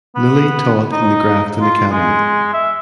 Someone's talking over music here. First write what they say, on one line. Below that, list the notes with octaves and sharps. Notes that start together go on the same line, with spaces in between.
Lillie taught in The Grafton Academy.
B3
D#4
F4
G#3
E5